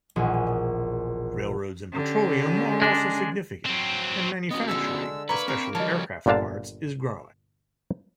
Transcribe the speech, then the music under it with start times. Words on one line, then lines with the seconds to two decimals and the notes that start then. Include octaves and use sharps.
Railroads and petroleum are also significant, and manufacturing, especially aircraft parts, is growing.
0.16 E1 A#1 G#4
1.92 D3 C#4 G4
2.82 G#3 D4
3.66 F#3 C4
4.51 B3 C#4 F#4 D#5
4.68 D3 G#3 A4 E5 E6
5.29 A#3 B4 C#5 A#5 B5 C#6
5.48 C4 A#4
5.75 C#3 F3 G3 A#4 C#5 D#5 A5
6.26 G1 A#2 D3 D4 F5 A5